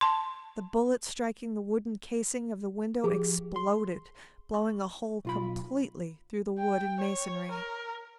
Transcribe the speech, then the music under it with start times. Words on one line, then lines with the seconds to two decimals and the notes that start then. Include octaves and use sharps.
The bullet striking the wooden casing of the window exploded, blowing a hole completely through the wood and masonry.
0.01 A5 C6
3.04 F3 G4 G#4
3.56 C6
4.54 C#6
5.25 B1 F4 B5
6.59 G5
7.00 C#5
7.52 A#4